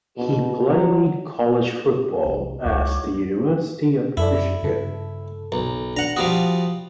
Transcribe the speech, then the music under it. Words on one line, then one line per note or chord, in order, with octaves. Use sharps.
He played college football as the University of Michigan.
B2
F#3
C2
C#2 F4 F#4 C#5 D6
F#2 E4 A4 D5
G2 C#3 A4
B1
D4 F#5 A#5
F3 G3 F#4 D#6